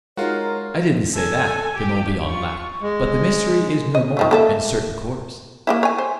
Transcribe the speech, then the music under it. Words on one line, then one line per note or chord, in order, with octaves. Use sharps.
"I didn't say that," De Morbihan laughed; "but the mystery is no more--in certain quarters."
G#3 D#4 F4 F#4 A#4 C#5
A4 G#5
G4
F4 C#6
G#3
D#5
D#3 F3 A3
A#3 A4 E5
A#3 D#4 E4
C#5 G#5
C5